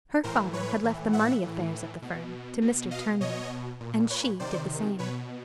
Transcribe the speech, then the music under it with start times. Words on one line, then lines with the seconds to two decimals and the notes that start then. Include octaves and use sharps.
Her father had left the money affairs of the firm to Mr. Turnbull, and she did the same.
0.23 A2 E3 A#4 C5
0.53 B4 C#5
0.83 A2 E3
1.13 E5 F#5
1.42 A2 E3
2.02 B2
2.62 B2
2.91 D#5 F5
3.21 B2 C#5 D#5
3.81 A#2
4.10 B4 C#5
4.40 C3 D#3 C5 D5
4.99 B2 B4 C#5